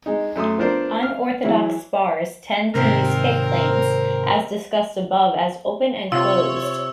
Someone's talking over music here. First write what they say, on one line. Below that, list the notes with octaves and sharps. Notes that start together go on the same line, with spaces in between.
Unorthodox spars tend to use hit claims, as discussed above as open and closed.
G#3 D#4
F#2 A3 C6 D#6
F3 B3 D4 A#4 C5 D5
F5 F6
E3 F#3 G#3 E4
G#2 C3 D#3 C4 A#4
C3 F4 C#5 E6